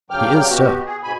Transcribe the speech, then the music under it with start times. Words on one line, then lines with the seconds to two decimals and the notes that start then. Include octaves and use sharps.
"He is so."
0.10 G2 C#3 F#3 G5 D6 F6
0.50 B2 B3 F#4 G4
0.86 G#4
1.03 G#2 B2 G#5 B5